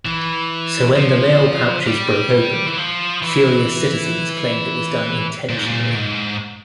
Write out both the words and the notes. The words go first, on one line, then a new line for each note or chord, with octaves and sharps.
So when the mail pouches broke open, furious citizens claimed it was done intentionally.
E3
F3
G3
E3
F3
E3
A#2
G#2
A#2
G#2